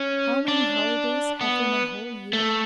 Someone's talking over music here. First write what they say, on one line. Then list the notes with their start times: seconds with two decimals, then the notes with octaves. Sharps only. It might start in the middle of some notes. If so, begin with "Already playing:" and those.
How many holidays have we in a whole year?
Already playing: C#4
0.48 D4
1.41 B3
2.33 A3